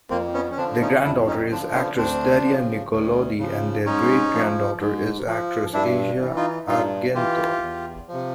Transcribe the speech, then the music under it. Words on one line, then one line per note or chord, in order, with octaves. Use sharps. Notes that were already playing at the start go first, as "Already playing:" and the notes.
Their granddaughter is actress Daria Nicolodi and their great-granddaughter is actress Asia Argento.
F2 A#3 C4
B3 C#4
C#4
D3 F3 C4 D4
C#4 D#4
F2 D4 E4
C#4 D#4
D3 F3 C4 D4
B3 C#4
D2 C4 D4
C#3 F3
D2
C#3 F3
G#2 C#4 D#4
F3
G#2
F3
G2 D4 E4
E3
D#4 F4
G2 D#4 F4
E3 F4 G4
E2
C3 F3